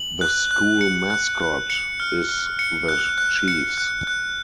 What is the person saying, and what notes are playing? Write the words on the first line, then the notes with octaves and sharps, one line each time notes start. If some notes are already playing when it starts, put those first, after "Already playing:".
The school mascot is the Chiefs.
Already playing: F#7
F#6
F#6
C#7
F#6
F#6
C#7
F6
F6
C#7
F#6
F#6
C#7
F#6
F#6